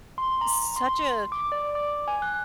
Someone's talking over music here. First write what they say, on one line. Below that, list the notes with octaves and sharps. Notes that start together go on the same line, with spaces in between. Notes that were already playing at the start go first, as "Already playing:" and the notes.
such a
C6
A#5
C6
D6
D5
D6
G#5
F#6